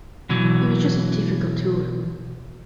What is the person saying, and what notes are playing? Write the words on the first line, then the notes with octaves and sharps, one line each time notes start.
It was just a difficult tour.
B2 E3 F#3